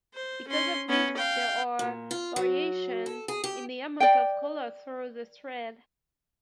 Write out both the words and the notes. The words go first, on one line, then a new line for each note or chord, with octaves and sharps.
Because of this, there are variations in the amount of color throughout the thread.
C5
C#4 C6
B3 C#4
F5 G5
A#2
F4
F#3
A4
G#4
G4
D5 G5